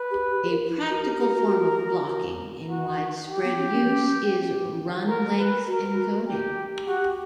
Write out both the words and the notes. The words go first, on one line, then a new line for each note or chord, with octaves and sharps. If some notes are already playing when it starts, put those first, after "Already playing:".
A practical form of blocking, in widespread use, is run-length encoding.
Already playing: B4
G4
G4
G4
A#4
E4
F#4 A#4
G4
G4
F#4
G4
F#4
F#4
G4
B3
C#4
C#4
C#4
A#4
B4
F#4 A#4
G4
F#4 G4